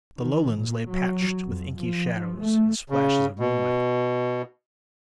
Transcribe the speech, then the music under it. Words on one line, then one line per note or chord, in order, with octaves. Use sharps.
The Lowlands lay patched with inky shadows and splashes of moonlight.
D#3
A#2
F#3
F2
F3
A3
C#3
B2